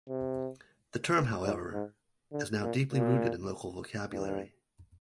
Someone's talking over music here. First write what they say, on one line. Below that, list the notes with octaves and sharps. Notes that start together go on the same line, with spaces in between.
The term, however, is now deeply rooted in local vocabulary.
C3
G#2
G#2
D3
A#2
A#2
G2